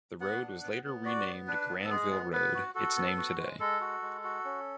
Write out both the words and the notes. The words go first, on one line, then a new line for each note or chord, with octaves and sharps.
The road was later renamed Granville Road, its name today.
B3 F#5
D4
B3
B3
F#4 D5
B3
D4 B4
B3
A4
G#3 G#4
B3
B3 B4
F#4
F#4 A4
B3
F#4
G#3
G#3 A4
F#4
G#3
F#4
C#4